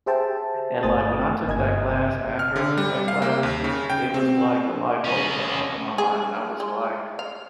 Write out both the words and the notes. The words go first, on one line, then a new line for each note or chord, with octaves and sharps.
And, like, when I took that class, after I took that class, it was like the light bulb went off in my mind. And I was like
G4 G#4 C5 E5 G5 A5
G1 A3 C5 G#5 D#6 A6
G1 A#3 D#5 G#5 G#6
F6
D3
G3
F5
A#3
D#2
C#3
G5
C4
C#4 D#5
G#4
G#3
F5